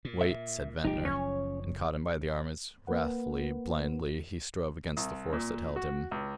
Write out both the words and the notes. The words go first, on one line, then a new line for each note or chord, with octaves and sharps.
"Wait," said Ventnor, and caught him by the arm as wrathfully, blindedly, he strove against the force that held him.
A#2
E5
F#1 F3 D#4 G4
C#4 C#5
A#3 A#4 B4 F#5
C2
A#2
F#4
C#2